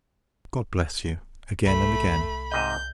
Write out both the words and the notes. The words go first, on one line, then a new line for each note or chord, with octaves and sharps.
God bless you, again and again!
C2 A3 B5
G#2 C3 D#5 G6